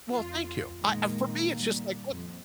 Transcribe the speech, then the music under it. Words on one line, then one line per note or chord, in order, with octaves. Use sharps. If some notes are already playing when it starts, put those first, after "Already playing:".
Well, thank you. I, uh, for me, it's just like, look
F2 F4
A#2 D#3 G#3 A#3
G3
F2